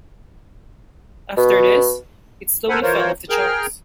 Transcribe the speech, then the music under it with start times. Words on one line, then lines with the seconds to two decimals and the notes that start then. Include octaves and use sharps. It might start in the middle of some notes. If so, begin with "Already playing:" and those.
After this, it slowly fell off the charts.
1.37 B2
2.69 A4 A#4 C5 F#5 G#5 B5
2.82 E3 F4 A#4 C5 C#5
3.30 G#4 A#4 G5 F6